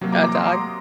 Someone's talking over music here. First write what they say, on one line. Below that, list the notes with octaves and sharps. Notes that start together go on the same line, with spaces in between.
A dog?
C3 F#3 A#3
A#5 D6
A#5 D6
C6 D#6
A#5 D6